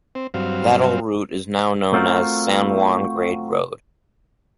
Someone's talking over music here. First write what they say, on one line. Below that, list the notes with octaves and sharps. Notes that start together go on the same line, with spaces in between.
That old route is now known as San Juan Grade Road.
C4
G2 F#3 C4 F5
A3 C4 F4 F#4 A#4